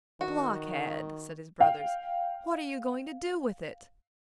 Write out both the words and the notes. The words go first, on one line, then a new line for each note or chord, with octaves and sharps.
'Blockhead!' said his brothers, 'what are you going to do with it?'
D#3 F#4
F5 G5